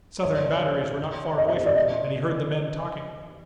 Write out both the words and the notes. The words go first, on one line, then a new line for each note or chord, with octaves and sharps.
Southern batteries were not far away from him and he heard the men talking.
C#5
D5
C#5
D#5
E5
D#5
D5
D#5